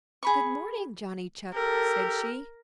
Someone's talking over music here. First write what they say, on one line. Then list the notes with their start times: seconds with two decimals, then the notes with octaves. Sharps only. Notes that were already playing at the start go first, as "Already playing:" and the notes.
"Good morning, Johnny Chuck," said she.
0.23 G#4 B5 C#6
1.54 G4 A4 A#4